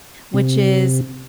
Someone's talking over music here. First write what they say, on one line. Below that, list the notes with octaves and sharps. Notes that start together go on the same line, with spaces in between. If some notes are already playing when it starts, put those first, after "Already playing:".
which is
C3